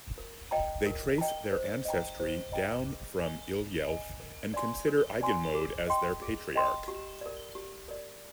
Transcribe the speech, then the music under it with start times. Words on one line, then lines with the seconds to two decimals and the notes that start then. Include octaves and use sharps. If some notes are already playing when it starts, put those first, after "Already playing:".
They trace their ancestry down from Ile-Ife and consider Iganmode as their patriarch.
0.18 A#4
0.51 D#5 G5 A#5
0.86 A#4
1.18 D#5 G5 A#5
1.52 C5
1.85 D#5 G5 A#5
2.20 C5
2.52 D#5 G5 A#5
2.86 G#4
3.19 D#5 G#5
3.53 G#4
3.87 D#5 G#5
4.20 A#4
4.54 D5 G#5 C6
4.88 A#4
5.21 D5 G#5 C6
5.55 G#4
5.87 D#5 G5 C6
6.22 G#4
6.55 D#5 G5 C6
6.88 G4
7.21 A#4 D5
7.55 G4
7.88 A#4 D5